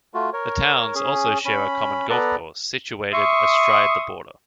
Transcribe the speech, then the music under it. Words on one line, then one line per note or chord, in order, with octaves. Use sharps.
The towns also share a common golf course, situated astride the border.
A3 F4 F#4
A#4 C#5
C#4 G#4
C#4 B5
B3 A4 B4 D5 A#5
E5 C6 C#6 D#6